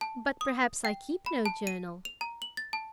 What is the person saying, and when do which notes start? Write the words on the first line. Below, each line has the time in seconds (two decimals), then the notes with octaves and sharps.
"But, perhaps, I keep no journal."
0.01 A5
0.41 D#6
0.85 G5
1.26 B5
1.46 A5
1.67 D#7
2.05 F7
2.21 A#5
2.42 F#7
2.57 A6
2.73 A5